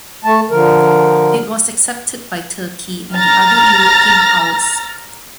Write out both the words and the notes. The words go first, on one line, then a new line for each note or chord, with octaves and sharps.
It was accepted by Turkey and the other European powers.
A3 A5
D3 F3 A#4
A#5 F6 A6 A#6